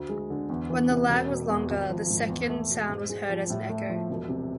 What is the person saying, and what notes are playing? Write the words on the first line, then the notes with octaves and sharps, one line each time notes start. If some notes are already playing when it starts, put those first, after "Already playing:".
When the lag was longer, the second sound was heard as an echo.
Already playing: D2
G#3
D3
E2
E3
C3
E1
B2
E2
G#1
F3
G#2
E2
A3
B2
G#2
G#3
F3
A2
A3
F3
E1
C3